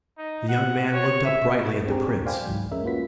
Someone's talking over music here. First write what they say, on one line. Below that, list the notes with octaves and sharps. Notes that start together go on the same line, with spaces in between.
The young man looked up brightly at the Prince.
D#4
F#5
C#5
E5
C4 D4 G4 G#4 A#5
C5 D5 F5 G5 G#5 B5
C2 G#2 E3 F#3
F2 G#3 C#4 A#4 E5
A#3 C#4 F4 F#4 B4 B6